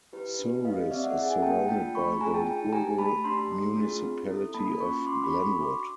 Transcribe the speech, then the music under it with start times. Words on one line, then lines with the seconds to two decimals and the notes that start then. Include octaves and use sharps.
Souris is surrounded by the Rural Municipality of Glenwood.
0.13 E4 G4 B4
0.39 D4 B4
0.65 G4 D#5 F5
0.91 C4 D5 E5
1.04 E5 F#5
1.17 E4 G#4 E5 F#5
1.30 F#5 G#5
1.42 A#3 G5 A5
1.68 D4 F4 G5 A5
1.94 A3 B5 C#6
2.20 D4 F4 G#4 G#5 A#5
2.34 G5 A5
2.47 D4 G5 A5
2.72 G4 G#5 A#5
2.98 A3 A5 B5
3.24 D4 G4 A#5 C6
3.51 A3
3.77 D4 F4 G#4
4.03 C4
4.29 E4 A4
4.54 A#3 A5 B5
4.80 C#4 F4 B5 C#6
5.07 C#4 C6 D6
5.24 B5 C#6
5.32 F#4 A4
5.41 B5 C#6
5.58 D4 C6 D6